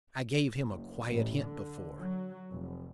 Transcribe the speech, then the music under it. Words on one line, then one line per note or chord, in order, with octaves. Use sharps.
I gave him a quiet hint before.
F#1
A1
D3
F#3
F1